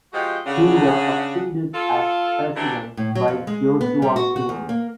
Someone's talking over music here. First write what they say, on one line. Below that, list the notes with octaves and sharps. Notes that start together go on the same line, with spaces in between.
He was succeeded as President by Joshua King.
F3 G#3 D#4 F#4 G4 D#5
C#3 D4 F#5
F4 A4
E3 F#3 G3 A3 D4
A2
F#3
F2
G#3
B3
G3
F#4
F#4
E2
A#3